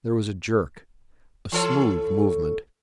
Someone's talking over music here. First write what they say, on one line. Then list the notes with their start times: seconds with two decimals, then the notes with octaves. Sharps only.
There was a jerk--a smooth movement.
1.52 E3 A4 C#5